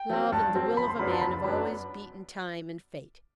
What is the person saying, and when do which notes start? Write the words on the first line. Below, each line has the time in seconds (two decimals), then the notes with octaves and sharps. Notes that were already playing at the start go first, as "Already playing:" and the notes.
Love and the will of a man have always beaten Time and Fate.
Already playing: G5
0.10 F#3 C4
0.32 G2 A5
0.55 F#3 C4
0.77 F#1 B5
0.88 C6
0.99 F#2 F#3 B3 D4 B5
1.11 A5
1.21 F#1 B5
1.44 F#2 F#3 B3 D4 B5